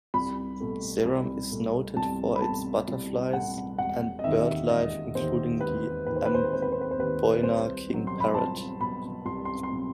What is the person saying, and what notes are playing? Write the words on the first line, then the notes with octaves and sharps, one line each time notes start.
Seram is noted for its butterflies and birdlife including the Amboina king parrot.
C2 B5
B2 A3
C2
B2 A3
C2 A5
B5
B2 A3 A5
C2
B2 A3 F#5
E1 F#5
D#5
D#2 D#3 E5
E1 D#5
D#2 D#3 C5
E1 B4
D#2 D#3 B4
C5
B4
C5
B4
E1 C5
B4
C5
B4
C5
D#2 D#3 B4
C2 C5
B2 F#3
C6
B5
C2 A5
B2 F#3 B5
C2 C6
C6
C6
B2 F#3